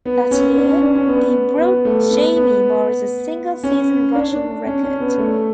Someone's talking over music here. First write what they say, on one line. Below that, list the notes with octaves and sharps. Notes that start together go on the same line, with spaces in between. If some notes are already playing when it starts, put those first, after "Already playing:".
That year, he broke Jamie Morris's single-season rushing record.
B3
C#4
D4
C#4
D4
C#4
B3
B3
A3
B3
B3
C#4
D4
D4
C#4
C#4
B3
A3